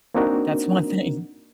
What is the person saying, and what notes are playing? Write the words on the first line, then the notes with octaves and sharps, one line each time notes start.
That's one thing.
A#3 C4 D4 D#4 F#4 A#4